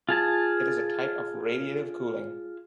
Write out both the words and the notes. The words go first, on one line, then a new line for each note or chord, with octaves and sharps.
It is a type of radiative cooling.
F4 G#4 A5